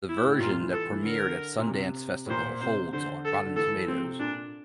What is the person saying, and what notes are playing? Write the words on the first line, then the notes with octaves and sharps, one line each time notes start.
The version that premiered at Sundance festival holds on Rotten Tomatoes.
E4
A2
A#2 F4
C3
E3
A4
E3
D3 A#4
A#2
C3
A2
A#2 C5
C3 C5
D3 C5
A4
D3
E3 A4
F3 C4
C3
A#2 D4